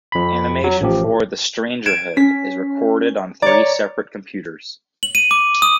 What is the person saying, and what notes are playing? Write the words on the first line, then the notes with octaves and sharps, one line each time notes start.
Animation for "The Strangerhood" is recorded on three separate computers.
F2 B5
F#3
A1 F3 G4
G#6 D7 E7
C#4 B6
C#5 D5 A#5
F#7
D#7
D6
D#6